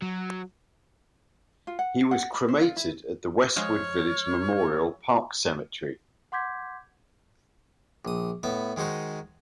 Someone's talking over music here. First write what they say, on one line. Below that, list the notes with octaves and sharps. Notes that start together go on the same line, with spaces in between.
He was cremated at the Westwood Village Memorial Park Cemetery.
F#3
F4
F#5
F#5
B5
C5
F4
E4
F3 G#3 G#4 C#5 F6
F#5 C6 D6 G6 G#6 B6
A#1 D#6
A2 B3 E5
D#3 G#3 D#4 F#4 C5